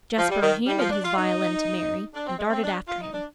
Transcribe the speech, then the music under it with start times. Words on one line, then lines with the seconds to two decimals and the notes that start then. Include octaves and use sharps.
Jasper handed his violin to Mary, and darted after him.
0.17 F3
0.29 G3
0.41 D#3
0.66 G3
0.78 F3
0.90 D4
1.02 F4
1.15 D#4
2.14 D4
2.25 C4
2.38 G#3
2.50 C4
2.63 D4
2.87 F4
3.00 D#4
3.11 D4